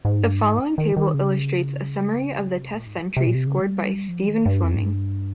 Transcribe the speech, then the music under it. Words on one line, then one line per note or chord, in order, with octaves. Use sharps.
The following table illustrates a summary of the Test centuries scored by Stephen Fleming.
G#2
G2
G#2
D#3
D#3
C#3
C3
A#2
G#2
C3
A#2
C3
C#3
G3
F3
D#3
G2
F2
G#2
G2